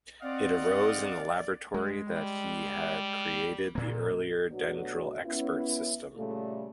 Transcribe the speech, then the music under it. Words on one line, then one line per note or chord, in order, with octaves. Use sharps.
It arose in the laboratory that had created the earlier Dendral expert system.
C4 D5 D#5 F5 F#5
G#3
G3
A#2 A#3
B2 F#3 A3 B3 D4 F#4
B3 C#4 E4
A#2 C#3 G3 A3